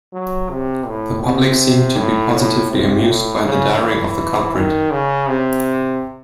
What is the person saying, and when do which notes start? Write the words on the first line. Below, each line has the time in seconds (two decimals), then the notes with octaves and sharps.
The public seemed to be positively amused by the daring of the culprit.
0.13 F#3
0.50 C3
0.87 A2
1.24 C3
1.97 A2
2.34 A2
2.71 C3
3.07 A2
3.44 C#3
3.80 E3
4.54 D#3
4.91 C#3
5.27 C3